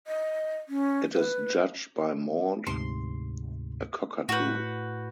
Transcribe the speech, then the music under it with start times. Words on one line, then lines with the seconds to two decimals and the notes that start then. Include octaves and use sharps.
It is judged by Maude, a cockatoo.
0.07 D#5
0.69 C#4
1.13 B4
2.67 D2 G#2 C3 C6
4.29 A2 F#4 B4 G6